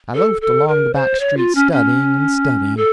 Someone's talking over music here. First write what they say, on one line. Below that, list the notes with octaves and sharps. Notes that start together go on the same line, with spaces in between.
I loafed along the back streets studying and studying.
A4
A4
A#4
C5
C#5
F4
C#4
C#4
A4